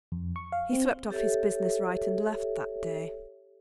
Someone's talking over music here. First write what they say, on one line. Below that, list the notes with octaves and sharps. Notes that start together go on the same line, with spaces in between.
He swept off his business right and left that day.
F2
C#6
F5
C4
G4 A4 C#5 E5